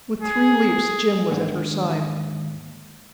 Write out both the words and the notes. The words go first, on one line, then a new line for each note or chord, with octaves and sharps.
With three leaps Jim was at her side.
G#4
D#2 G#2 D3